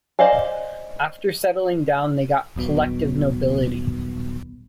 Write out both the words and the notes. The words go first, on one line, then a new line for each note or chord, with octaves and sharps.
After settling down they got collective nobility.
C5 D5 D#5 F5 G#5
D#1 B1 B2